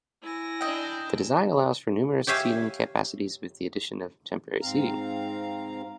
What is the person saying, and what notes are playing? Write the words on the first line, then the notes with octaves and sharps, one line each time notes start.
The design allows for numerous seating capacities with the addition of temporary seating.
E4 G#5 A#6
D4 D5 D#5 G5
G4 C#5 E5 F5 G#5
G#2 C4 F5 A#5